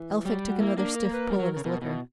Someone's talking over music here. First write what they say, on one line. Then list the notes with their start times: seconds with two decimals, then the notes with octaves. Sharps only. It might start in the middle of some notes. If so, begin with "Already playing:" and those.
Elphick took another stiff pull at his liquor.
Already playing: E3
0.25 F#3 G3
0.49 F#4
0.60 A#3 E4
0.77 A#3 D4
0.95 A#4
1.13 B4
1.30 G3 A#4
1.39 F#3
1.57 C#3
1.65 B2 A#4
1.82 B2 E4